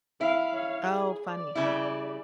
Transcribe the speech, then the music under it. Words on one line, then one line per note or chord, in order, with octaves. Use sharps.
Oh, funny.
E4 F5
C#5 F5
G#4
D5
C#3 G3 E4